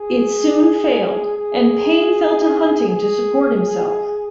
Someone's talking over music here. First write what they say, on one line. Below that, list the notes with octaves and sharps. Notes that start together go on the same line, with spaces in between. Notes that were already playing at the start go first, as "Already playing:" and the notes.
It soon failed and Payne fell to hunting to support himself.
Already playing: G#4
G#4
G#4